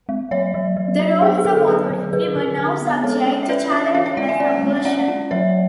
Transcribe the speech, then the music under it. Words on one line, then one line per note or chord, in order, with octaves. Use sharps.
The roles of authority were now subject to challenge and subversion.
G#3
F#3 C#5 E5
F#3
F#3
D4
B3 G#4
G#4
D3 A4
A4
F#3 G#4 B4
D3
D3 G#4 B4
D3
D3
B3
G#3 A4 C#5
C#4
E5
C#4 B4 D5
C#4 C#5 E5
C#4 C#5 E5
C#5 E5
G#3 D5 F#5
E5 G#5
C#4 D5 F#5
G#3
C#4 D5 F#5
C#4
F#3 C#5 E5